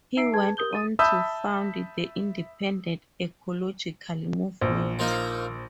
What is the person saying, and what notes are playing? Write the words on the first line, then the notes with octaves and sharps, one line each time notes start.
He went on to found the Independent Ecological Movement.
D#4 E5 A#5 E6 C7 D7
G#4 B4 A5 G#6
G4 A#4 D#6 G6 G7
D#6 A6 D#7
E5 A5 B5 D#6 E6 G6
A#1 C5
F3 A#3 D#4